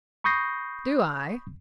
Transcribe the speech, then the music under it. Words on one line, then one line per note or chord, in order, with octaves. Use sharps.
"Do I?"
B5 C#6 D#6 G6 A#6 C7